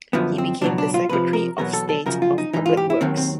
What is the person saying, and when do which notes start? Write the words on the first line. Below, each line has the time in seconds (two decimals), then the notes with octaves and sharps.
He became the Secretary of State of Public Works.
0.13 F#2 D3 F3 B3
0.38 C4
0.61 C#2 B2 F#3 D4
0.78 D4
0.94 F4
1.09 F2 C3 F3 B4
1.33 A#4
1.58 E2 B2 F#3 A#4
1.73 A4
1.89 A4
2.06 F#2 C#3 F3 A#4
2.22 F4
2.38 D#4
2.53 G#2 E3 D#4
2.66 F4
2.77 G4
2.90 E4
3.01 D#2 D#3 F#3 C4
3.17 C4